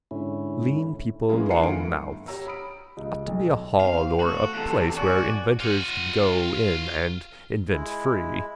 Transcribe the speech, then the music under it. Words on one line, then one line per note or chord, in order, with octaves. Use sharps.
Lean people long mouths. Ought to be a hall or a place where inventors could go in and invent free.
G#2 D3 C#4 E4
G#3 B3 C#4 E4 F4 G#4
E3 A#3 F4 F#5 C7 C#7
D2 D#3 F5 G#5 D7
G1
G4 C#5 A#5 E6
B5 D#6 D7
C#2
B1
C4 F5
A3 F#4 A4
E2 C3 A4
F#4 D5 G#5
F4 F#5
G#3 E4